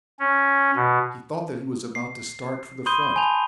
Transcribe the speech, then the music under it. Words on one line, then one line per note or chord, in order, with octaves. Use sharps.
He thought that he was about to start for the front.
C#4
B2
C7
B5 C6 D#6 G6 D#7 G7
G#5 A5 B5 G6 F7